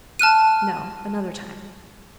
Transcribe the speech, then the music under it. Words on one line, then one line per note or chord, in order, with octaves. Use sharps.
"No, another time."
A5 F6 F#6 D#7